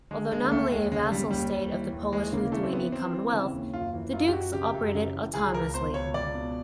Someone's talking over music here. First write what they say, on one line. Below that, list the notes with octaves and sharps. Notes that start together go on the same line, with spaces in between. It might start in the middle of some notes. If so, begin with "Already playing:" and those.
Although nominally a vassal state of the Polish-Lithuanian Commonwealth, the dukes operated autonomously.
D3 G#3
D3 G#3
A#3
D#2 A3
D#2 G#3
C#3 G#3
D#2 G3
D#2 G3
D#2
E3
D#2
E3 G#3
C#3 A#3
A#3
E3 A3
C4
E3 B3
E3 C4
E3
C#3
D#2
F#2 F4
E3
F#2 F4
G4
F#2 F#4
C#3 G4
F#2
C#3
E3
C#2 G#4
C#2 A#4
B2 C5
C#2 C#5
C#2 D5
B2